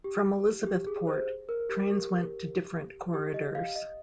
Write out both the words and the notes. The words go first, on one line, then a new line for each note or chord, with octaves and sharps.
From Elizabethport, trains went to different corridors.
G4
G4
G#4
C5
A#4
G4
G4
G4
D#5
F5
D#5